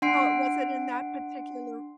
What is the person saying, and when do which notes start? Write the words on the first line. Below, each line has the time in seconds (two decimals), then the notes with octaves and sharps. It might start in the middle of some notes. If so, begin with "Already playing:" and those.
Oh, was it in that particular
0.02 D4 F#5 C6 C7 D7